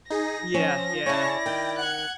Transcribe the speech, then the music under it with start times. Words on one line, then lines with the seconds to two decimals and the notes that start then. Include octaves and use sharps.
Yeah, yeah.
0.10 D#4 G#4 A#6
0.54 F3 C4 C#4
1.06 C#3 C#4 E4 C#5 D5 A5
1.46 D#3 G5
1.79 F#5 F#6 G#6